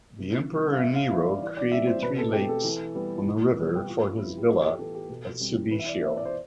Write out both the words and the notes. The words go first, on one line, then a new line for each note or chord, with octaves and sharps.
The emperor Nero created three lakes on the river for his villa at Subiaco.
C3
E3 G3
F5
A2 E5
F5
G3 B3 E5
D5
E3 D5
D5
G3 C4 E5
C5
B2 B4
A4
A3 C4 G4
A4
E3
G3 B3
B2
G3 B3
G4
E3 F4
G3 B3 E4
G4
A2 F4
A4
G4
E3 B3 A4
G4
B2 A4
G3 C4
E3 B4
E5
D5
B3 E5
D5
C5